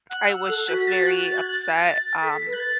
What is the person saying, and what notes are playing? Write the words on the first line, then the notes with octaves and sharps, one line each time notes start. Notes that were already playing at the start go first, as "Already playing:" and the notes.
I was just very upset, um,
F#5 F#6
F#5 E6
A4 F#6
F#4 B6
B6
A6
F#6
A6
F#6
A6
A4 B6
B4
F#6
A6